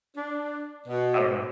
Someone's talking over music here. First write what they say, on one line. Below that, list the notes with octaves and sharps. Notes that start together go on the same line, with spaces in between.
I don't know.
D4
B2